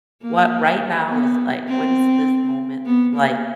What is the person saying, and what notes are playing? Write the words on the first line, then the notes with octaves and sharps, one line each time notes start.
what right now is like, what is this moment like
A#3
B3
C4
B3
A#3